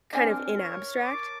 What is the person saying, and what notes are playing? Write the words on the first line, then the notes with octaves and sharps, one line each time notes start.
kind of in abstract.
C4 D4 A#4 G#5
C#5
A#4 A5 D6